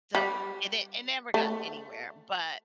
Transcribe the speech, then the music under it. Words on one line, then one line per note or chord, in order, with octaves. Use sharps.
So it di it never got anywhere, but,
G3
A3